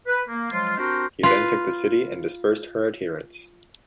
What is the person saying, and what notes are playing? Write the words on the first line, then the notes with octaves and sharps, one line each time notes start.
He then took the city and dispersed her adherents.
B4
A#3
F3 F#3 G#3 F4
C4 D4 F#4 G4 A#4 C5
F4 B4